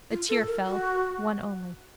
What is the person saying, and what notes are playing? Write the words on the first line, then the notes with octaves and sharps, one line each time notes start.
A tear fell: one only.
F4
A4
A#4
F#4